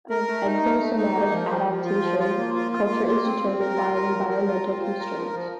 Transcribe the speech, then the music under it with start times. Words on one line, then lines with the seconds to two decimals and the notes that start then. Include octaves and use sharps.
As exosomatic adaptation, culture is determined by environmental constraints.
0.10 A#4
0.27 A3
0.45 D#4
0.62 A3
0.79 A3
0.97 D#4
1.15 A#3
1.32 F3
1.49 F3
1.67 F3
1.84 F4
2.02 F3
2.20 F4
2.37 A#3
2.54 F4
2.72 F4
2.89 A#3
3.07 F4
3.24 C4
3.42 C4
3.59 A#4
3.76 F4
3.94 A#4
4.12 F3
4.29 A#4
4.46 F4
4.64 C4
4.82 F4
4.99 A#4
5.16 F3
5.34 F3